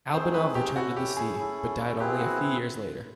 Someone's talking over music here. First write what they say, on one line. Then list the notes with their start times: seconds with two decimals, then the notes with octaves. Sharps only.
Albanov returned to the sea, but died only a few years later.
0.13 A3 C4 D#4 G#4 C5
0.34 B4
0.55 G4
0.76 C#4 E4 F#4 A4
0.96 G4
1.17 G#4
1.38 C#4 E4 A4
2.00 C4 E4 G4 G#4 B4
2.21 F#4